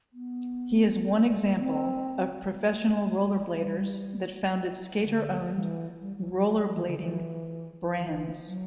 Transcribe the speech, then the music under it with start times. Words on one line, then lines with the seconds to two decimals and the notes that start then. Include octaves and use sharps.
He is one example of professional rollerbladers that founded skater-owned rollerblading brands.
0.13 B3
1.60 C4
2.58 A3
3.51 A3
3.56 G3
4.54 F#3
5.03 D3
5.52 E3
6.01 G3
6.18 F#3
6.34 F#3
6.51 F#3
6.62 F#3
6.75 E3
6.87 D3
7.00 E3
7.98 E3
8.47 F#3